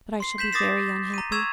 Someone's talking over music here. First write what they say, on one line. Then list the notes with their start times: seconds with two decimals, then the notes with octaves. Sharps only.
But I shall be very unhappy.
0.20 C6 C7
0.38 G6 B6 E7 F#7
0.53 D6 D#6 A6 A#6 C7 E7
1.14 A#5 D#7
1.32 C#6 E6 G#6 E7 F7